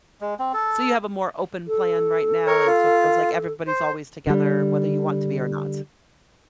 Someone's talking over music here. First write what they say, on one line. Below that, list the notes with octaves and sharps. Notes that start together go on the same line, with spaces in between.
So you have a more open plan right now, and so it feels like everybody's always together, whether you want to be or not.
G#3
C4
A4
A4
A#4 C#5
F4
C5
D3 G3